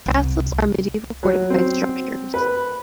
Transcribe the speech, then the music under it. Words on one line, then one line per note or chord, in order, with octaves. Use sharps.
Castles are medieval fortified structures.
C2
F#3
C4
B4